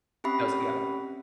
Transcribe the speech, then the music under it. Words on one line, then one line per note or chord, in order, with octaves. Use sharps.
goes together.
C4 C#4 G4 E5 B5